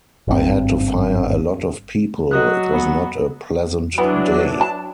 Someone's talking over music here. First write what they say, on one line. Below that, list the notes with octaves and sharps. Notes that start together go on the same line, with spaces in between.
I had to fire a lot of people; it was not a pleasant day.
G#1 G2 D#3 C4
F#3 F#4 D#5 D#6 F#6
B3
E3 F#3 B3 D4
A5